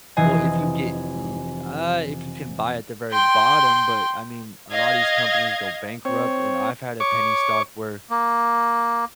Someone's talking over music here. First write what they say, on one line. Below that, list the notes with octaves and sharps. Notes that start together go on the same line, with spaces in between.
Well, if you get l uh, if you can buy at the very bottom, but I mean, a lotta these companies go bankrupt, and I've had a penny stock where
F1 E3 D#5 G#5 C7
G5 C6
D#5 F5 G#6
C4 C#5
C#5 C#6 D6
A#3